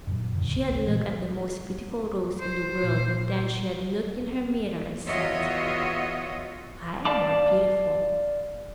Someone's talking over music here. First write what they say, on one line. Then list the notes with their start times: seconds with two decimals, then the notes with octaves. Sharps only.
She had looked at the most beautiful rose in the world, and then she had looked in her mirror and said, "I am more beautiful."
0.07 F#2 A#2 D3 F#3
0.36 E2 A#2 D3
0.53 G#1
0.68 D1 C#2 A#3
0.87 A#2 E3 G#3
2.41 C5
2.84 A#2
5.06 E2 F4 F#4 C#5 D#5 E5
7.05 D5 F5 A5 B5 D6